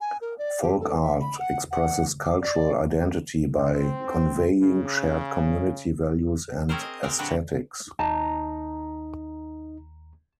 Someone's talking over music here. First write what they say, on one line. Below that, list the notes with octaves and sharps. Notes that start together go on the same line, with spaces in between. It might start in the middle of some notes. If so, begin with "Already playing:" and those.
Folk art expresses cultural identity by conveying shared community values and aesthetics.
G#5
A#4
D5
G4
A4
E5
B5
F#5
F#5
D6
D5
C4
C#3
C4 C#4 G#4 A#4 C5
D#5
A#2 G#3 C4 G4 A#4
D3 F#3 F#4 G4 B4
D#2 D#4 A5 A#5